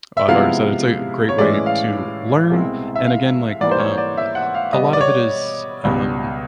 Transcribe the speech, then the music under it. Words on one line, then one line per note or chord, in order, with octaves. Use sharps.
oh, I've already said it's a great way to learn, and again like, um, a a lot of it is, um
E5
C3 F3 G#3 B3 E4 F5
C#5
A2 E3 G#3 C#4 E4 D5
F5
C2 B2 G#3 C4 E4
E5
F5
G#2 E3 G3 A#3 D5
C5
C#5
D5
E5
F#5
F5
B2 G3 B3 D#5
D5
C#5
C#2 B2 G3